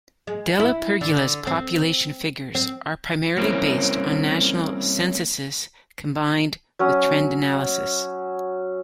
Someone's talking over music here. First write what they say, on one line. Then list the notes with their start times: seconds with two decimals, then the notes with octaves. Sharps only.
DellaPergola's population figures are primarily based on national censuses combined with trend analysis.
0.27 G#3
0.60 E4
1.01 D3
1.47 C4
2.55 C4
3.37 G3 A#3 C4 C#4 E4
6.79 F#3 C#4 D#6